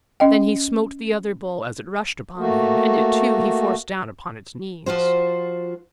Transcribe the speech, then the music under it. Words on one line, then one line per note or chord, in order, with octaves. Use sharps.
Then he smote the other bull as it rushed upon him, and it too he forced down upon its knees.
C#4 D#5 G5
A3 A#3 F#4
F3 F4 F#4 C5